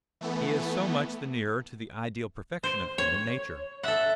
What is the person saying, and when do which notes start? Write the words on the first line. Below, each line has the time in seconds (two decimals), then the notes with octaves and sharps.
He is so much the nearer to the ideal perfection of human nature.
0.21 E3 A3 B3
2.64 C5
2.98 C#5
3.83 A4 E5 F#5